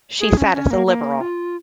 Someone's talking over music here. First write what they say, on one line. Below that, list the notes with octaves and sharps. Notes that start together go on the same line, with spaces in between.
She sat as a Liberal.
G#4
C#4
C#4
A#3
A#3
F4